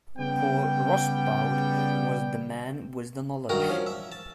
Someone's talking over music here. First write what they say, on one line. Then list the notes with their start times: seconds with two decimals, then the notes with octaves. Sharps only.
Paul Rosbaud was the man with the knowledge.
0.18 C#3 G3 B3 G5
3.49 G2 D#3 F#4 A#4
3.69 F3 C#4
3.87 E5
4.12 A5